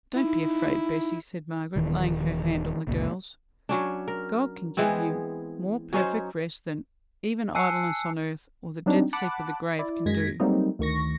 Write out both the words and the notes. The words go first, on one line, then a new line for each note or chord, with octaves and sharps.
'Don't be afraid, Bessy,' said Margaret, laying her hand on the girl's; 'God can give you more perfect rest than even idleness on earth, or the dead sleep of the grave can do.'
D#4 E4
D#1 D#3 E3
G1 C#2 A#2
F#3 C#4 D4
A#4
E3 G#3 B3 C4
F#3 C#4 D#4 C5
G#5 A5 E6 F#6 C7 C#7
F#3 G3 C4 D4 D#4
F#5 A5 B5 D6 F#6
E4 D5
F#2 G#3 G#6 A#6 B6
F#3 G3 A3 A#3 C4 D#4
D2 D#3 C#6 A#6